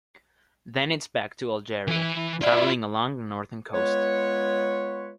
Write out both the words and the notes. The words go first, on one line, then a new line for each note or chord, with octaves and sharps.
Then it's back to Algeria, travelling along the northern coast.
E3 B5
E4 F4 D5
G#3 B3 F4 B4 C#5